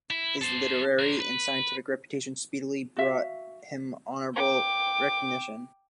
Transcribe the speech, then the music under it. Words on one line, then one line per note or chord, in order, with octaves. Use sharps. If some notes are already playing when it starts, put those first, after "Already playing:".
His literary and scientific reputation speedily brought him honorable recognition.
E4
A4 C5
A#4 C5
B4
F#4 E5 F5
G5 D6